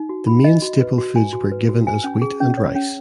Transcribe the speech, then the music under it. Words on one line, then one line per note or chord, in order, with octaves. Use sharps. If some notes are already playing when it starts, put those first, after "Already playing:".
The main staple foods were given as wheat and rice.
Already playing: D#4
F#4
B5
D#5
F#4
B4
F#4
G#5
F#4
B4
F#4
G#5
C#4
G#4
C#4
C#5
C#4